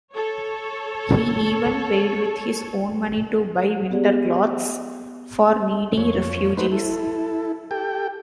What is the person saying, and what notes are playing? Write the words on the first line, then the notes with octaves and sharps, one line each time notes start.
He even paid with his own money to buy winter clothes for needy refugees.
A4 C#5
B3 G4 G#4 D5
F2 C#5
F#3 A3 D#4 B4 C5
E4 A4
G4 A4 G5